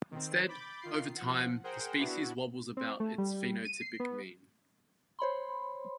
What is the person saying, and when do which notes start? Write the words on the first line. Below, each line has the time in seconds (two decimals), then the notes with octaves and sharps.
Instead, over time, the species wobbles about its phenotypic mean.
0.11 D#3 C4
0.48 B5 D6 G6 A6
0.81 D#3 F4 C7
1.17 F3 F#5
1.64 G#4 A#4 C5 F#5 G5
1.98 B3 D4 E4 F#4
2.77 C4
3.00 A3
3.18 G3
3.65 D#7
3.81 C7
4.00 B3
5.19 C5 C#5 B5 C6